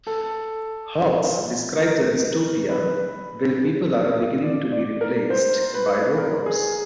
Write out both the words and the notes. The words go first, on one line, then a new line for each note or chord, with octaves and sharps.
Hawks describes a dystopia where people are beginning to be replaced by robots.
A4
A#4
B4
D5
D5
A#4
C5
B4
A#4
G#4